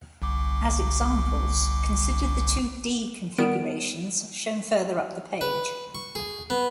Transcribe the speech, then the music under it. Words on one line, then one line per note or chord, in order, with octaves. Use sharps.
As examples, consider the two "d" configurations shown further up the page.
G1 C2 D6
D#3 G3 B3 A#4 D7
B4
C#6
G#4
B3